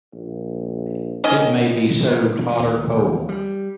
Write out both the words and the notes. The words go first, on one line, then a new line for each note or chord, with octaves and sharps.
It may be served hot or cold.
A#1
D#3 C#4 D#5
D#2
G3